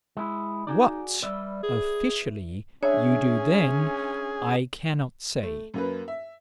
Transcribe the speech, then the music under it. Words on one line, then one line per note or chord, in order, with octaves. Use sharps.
What--officially--you do then, I cannot say....
G#3 E4
D#4 F#4 G#4 D5
G3 B4 D5 E5
G#4
C#4 D4 G#4 C#5 E5
A3
F#2 A#3 B4
E5